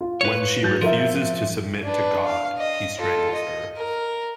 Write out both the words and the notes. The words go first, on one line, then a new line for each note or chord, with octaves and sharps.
When she refuses to submit to God, he strangles her.
F4
B4 C#5
F#3 G6 A6
F3 F4 A#4 E5
D4 B4
F5
D#5
F4 A4
D#5
A#4